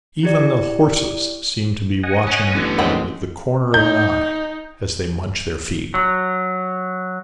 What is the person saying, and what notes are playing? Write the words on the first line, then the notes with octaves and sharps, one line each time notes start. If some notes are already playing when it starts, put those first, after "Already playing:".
Even the horses seem to be watching with the corner of an eye as they munch their feed.
E4 G4 D5
D#5 F#5 G#5
C#4
A1 D3 B3
F2 D#3 F#3 G#3 C4 G5
D#4 G6
F#3